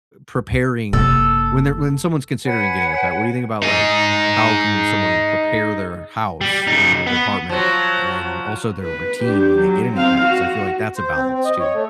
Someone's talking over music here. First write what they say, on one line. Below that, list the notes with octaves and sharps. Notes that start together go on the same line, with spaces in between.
preparing when they're when someone's considering getting a pet, what do think about, like, how can someone prepare their house, or their apartment, and also their routine when they get a new pet, 'cause I feel like that's a balance, too.
F#1 C3 A#3 A4
B4 C#5 F#5 G#5
D#4 G#4
G3
C#3 D#4
B3
F3 F#3
B4
D4 G4
F#3
C4 F5
F#4
C5
C4
C4
D#5
C#5
A3